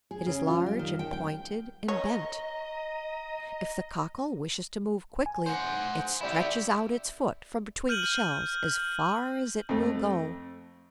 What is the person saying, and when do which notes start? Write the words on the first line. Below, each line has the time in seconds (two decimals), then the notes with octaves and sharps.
It is large and pointed, and bent: if the Cockle wishes to move quickly, it stretches out its foot from between the shells, as far as it will go.
0.11 G#4
0.26 C#3
0.47 F4
0.66 G3
0.79 D#3
0.99 G5
1.13 G5
1.88 C#5 D#5 A#5
5.26 G#5
5.46 C5 F#5
6.21 E4 G4 D5 E5
7.89 F6 G6 D#7 F#7
9.69 F2 A3